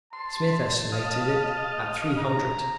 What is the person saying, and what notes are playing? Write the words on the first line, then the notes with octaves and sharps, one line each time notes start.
Smith estimated it at three hundred.
A5 C6
D#5 F5
A#5